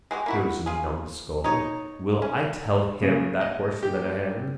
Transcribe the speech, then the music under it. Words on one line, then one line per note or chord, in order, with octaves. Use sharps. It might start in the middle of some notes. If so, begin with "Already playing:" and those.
Nosey numbskull. Will I tell him that horse Lenehan?
G#3 F#4 G4
A#3 E4 F#4
F4 G#4
D#4 C#5
C#4
C#3
D#5
G4